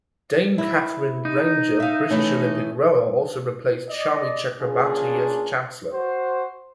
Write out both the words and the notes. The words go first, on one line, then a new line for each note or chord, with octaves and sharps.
Dame Katherine Grainger British Olympic rower also replaced Shami Chakrabarti as Chancellor.
E4
D#4
E5 F5
E3 A3 C#4
D5 D#5
A#3 C#4 D4 F4 G#4
F#4 C5